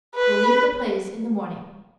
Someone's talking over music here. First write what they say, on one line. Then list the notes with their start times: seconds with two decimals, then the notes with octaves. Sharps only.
We'll leave the place in the morning.
0.16 B4